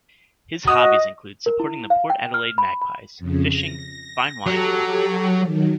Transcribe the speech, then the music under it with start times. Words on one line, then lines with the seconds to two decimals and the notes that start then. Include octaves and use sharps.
His hobbies include supporting the Port Adelaide Magpies, fishing, fine wine, and cooking.
0.67 F#4 D#5 D#6
1.46 A#4
1.60 E4
1.90 F5
2.10 G5
2.34 F6
2.58 B5
2.82 B5
3.19 F2 C#3
3.49 A#6
4.46 F#3 G4 A4
5.45 D#3 F#3